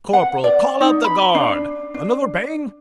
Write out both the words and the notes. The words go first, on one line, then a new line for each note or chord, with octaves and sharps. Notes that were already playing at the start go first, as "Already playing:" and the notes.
Corporal, call out the guard! Another bang!
F#5
D5
D#4
B5
D4
D4